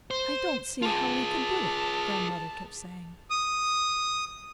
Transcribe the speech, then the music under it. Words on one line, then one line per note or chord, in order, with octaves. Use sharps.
"I don't see how he could do it!" grandmother kept saying.
C5
F4 G#4 A5
D#6